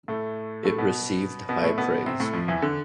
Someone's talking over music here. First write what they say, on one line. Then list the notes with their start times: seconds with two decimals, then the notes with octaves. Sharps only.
It received high praise.
0.08 A2 A3
0.64 A2 A3
0.78 B2 B3
1.49 B2 B3
1.63 A2 A3
1.78 B2 B3
2.06 C3 C4
2.20 A2 A3
2.33 F2 F3
2.48 E2 E3
2.62 D3